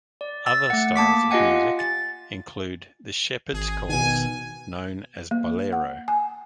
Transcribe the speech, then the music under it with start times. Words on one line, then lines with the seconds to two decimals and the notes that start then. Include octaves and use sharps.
Other styles of music include the shepherd's calls known as ballero.
0.21 D5
0.46 E6 A6
0.70 A3 F#5
0.96 A#3 A5 D6 B6
1.31 F4 G4 D#5 F5 F#5 G#5
1.79 A6
3.53 G#1 G#4
3.89 B2 D#3 G#5
5.31 A#3
5.72 F#5
6.08 G#5